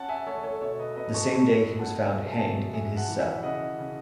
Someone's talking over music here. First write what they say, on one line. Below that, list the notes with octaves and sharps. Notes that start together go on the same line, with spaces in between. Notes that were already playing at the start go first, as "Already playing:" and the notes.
The same day he was found hanged in his cell.
Already playing: C#4 F#5 A5
E5 G#5
A3 A4 C#5
A4 C#5
B2 C#5 E5
B4 D#5
B2 B4 D#5
A5 C#6
C#4 A5 C#6
A3
F#5 A5
B2 E5 G#5
A5
B2 E5 G#5
B3 E5 G#5
F#5 A5
E3
E5 G#5
C#3 D#5 F#5
C#3